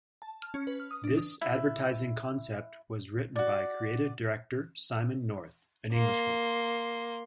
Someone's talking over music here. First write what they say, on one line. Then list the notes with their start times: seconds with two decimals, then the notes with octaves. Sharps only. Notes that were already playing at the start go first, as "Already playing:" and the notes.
This advertising concept was written by Creative Director Simon North, an Englishman.
0.22 A5
0.42 F6
0.54 C#4
0.67 B4
0.80 F6
0.91 D#6
1.04 D4
1.18 D#6
1.41 E4
3.36 F#4 D5
5.92 A#3 C6